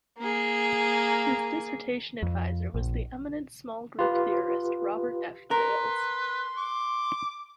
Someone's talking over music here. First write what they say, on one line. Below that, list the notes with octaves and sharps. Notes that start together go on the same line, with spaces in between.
His dissertation advisor was the eminent small group theorist Robert F. Bales.
A#3 G#4
F2
A#1
F4 G4 B4
A#4 B4 C6
D6